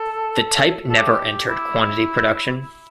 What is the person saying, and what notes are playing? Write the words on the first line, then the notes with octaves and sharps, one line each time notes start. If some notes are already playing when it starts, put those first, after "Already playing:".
The type never entered quantity production.
Already playing: A4
A4
G4
E4